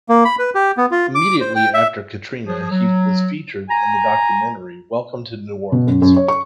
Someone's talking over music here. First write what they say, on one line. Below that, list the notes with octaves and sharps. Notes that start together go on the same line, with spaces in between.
Immediately after Katrina, he was featured in the documentary "Welcome to New Orleans".
A#3
B5
B4
G4
B3
F4
D6
C5
G5
E5
F3 G#4
F#3
G#5 A#5
B2
F#2
F#2
C#5
C#6